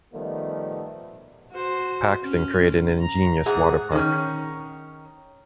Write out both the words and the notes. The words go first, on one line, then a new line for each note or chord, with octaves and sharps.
Paxton created an ingenious water park.
D#3 F3 G3 A3 B3
F#4 C5
C#4
A#5
G#2 G#4 F#5
D#3 C#4